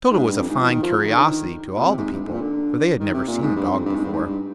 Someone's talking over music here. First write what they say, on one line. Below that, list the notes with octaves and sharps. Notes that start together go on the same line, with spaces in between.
Toto was a fine curiosity to all the people, for they had never seen a dog before.
G#2
G2
F2
G#2
F3
D#3
F3
F3
D#3
D3
D#3
A#2
C3
G#2
G2
G#2
A#2
D3
D#3
C3
A#2
G#2
G2
F2
G2
G#2
G2
G#2
G2